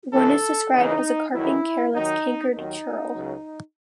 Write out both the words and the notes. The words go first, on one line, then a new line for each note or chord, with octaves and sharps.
One is described as a carping careless cankerd churle.
C#2 C3 E3 A4
E2 C#3 E3 D#4
E2 D#3 F#3 E4
D#2 D#3 F#3 D#4
D#2 D#3 F#3 D#4
C#2 C#3 F#3